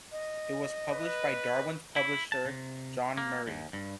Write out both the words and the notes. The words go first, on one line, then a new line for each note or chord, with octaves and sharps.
It was published by Darwin's publisher John Murray.
D#5
B4
E4
A5
C3
A#3
D#2
G2